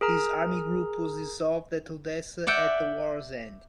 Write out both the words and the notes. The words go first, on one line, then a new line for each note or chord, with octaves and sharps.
His Army Group was dissolved at Odessa at the war's end.
G#4 A#4 A#5
D5 E5 F#5 G5